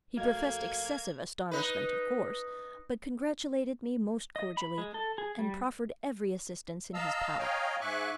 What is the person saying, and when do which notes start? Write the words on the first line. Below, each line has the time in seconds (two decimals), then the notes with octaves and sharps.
He professed excessive astonishment, of course, but congratulated me most cordially, and proffered every assistance in his power.
0.17 F2 A3 A#3 F#4 D#5 F5 G#6
1.51 D#4 B4
4.36 D#5
4.57 B5
4.78 G#3
4.94 A4
5.18 G#4
5.39 G3
6.94 D#5 F5 A5 A#5 E6
7.39 C#5 D#5 F5 G5 G#5 A#5
7.81 G#2 E5 G#5 C#6 D6 F#6